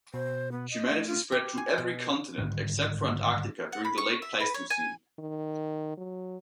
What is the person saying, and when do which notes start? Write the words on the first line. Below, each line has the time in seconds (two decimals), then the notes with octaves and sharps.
Humanity spread to every continent except for Antarctica during the Late Pleistocene.
0.14 B2 C5
0.52 B3
0.71 D#5
0.91 A3
1.07 F4
1.32 G4
1.57 G#5
1.78 B2
2.38 G#2 D3 D#3 G3
3.72 F#5
3.85 B5
3.98 C#6
4.22 E5
4.40 B4
4.54 C#5
4.70 G#5
5.19 D#3
5.97 F#3